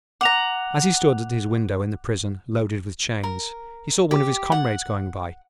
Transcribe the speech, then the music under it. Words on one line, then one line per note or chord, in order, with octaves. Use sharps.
As he stood at his window in the prison, loaded with chains, he saw one of his comrades going by.
F#5 A#5 D6 F7
A#4
G4
F#5